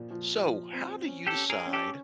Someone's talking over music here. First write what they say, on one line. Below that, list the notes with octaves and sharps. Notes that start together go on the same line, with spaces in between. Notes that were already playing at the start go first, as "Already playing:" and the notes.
So, how do you decide
Already playing: A#2 F3
F3
F3
C4
C#4
G4 A4
C#4
G#4 A#4
C#4
G4 A4